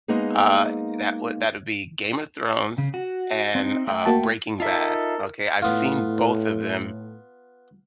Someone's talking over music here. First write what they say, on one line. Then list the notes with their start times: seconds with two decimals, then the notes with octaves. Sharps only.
Uh, that would that would be Game of Thrones and, uh, Breaking Bad, okay? I've seen both of them
0.08 G#3 A#3 B3 D#4 G#4
2.78 C#3
2.94 F#4
3.55 C4 D#4
3.87 A3 G5
4.06 A#3 F#4 A5
4.60 D#4 F4 A4 A#4 E5
5.62 A2 B3 F4